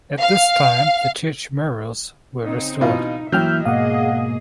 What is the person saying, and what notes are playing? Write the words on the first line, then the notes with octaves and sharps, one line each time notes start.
At this time the church murals were restored.
F5
C#3 C4 D#4
B2 E3 D#4 F4
E3 F#3 A#3 E4 E5 G5 F6 G6
G#2 B2 A#3 G#4 D#5 F5 F#5